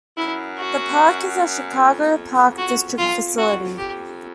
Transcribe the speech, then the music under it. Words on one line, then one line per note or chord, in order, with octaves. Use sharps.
The park is a Chicago Park District facility.
F#2 E4
F#4
F2
F#4
F4
F2 F#4
G4